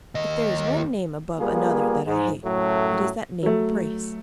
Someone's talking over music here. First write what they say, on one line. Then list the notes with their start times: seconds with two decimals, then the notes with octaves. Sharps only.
If there is one name above another that I hate, it is that name Brace!
0.15 D#2 D#5
1.38 G3 A#3 B3 F4 G#4
2.07 G#2
2.44 F#2 A2 F#3 A3
3.43 F#3 A3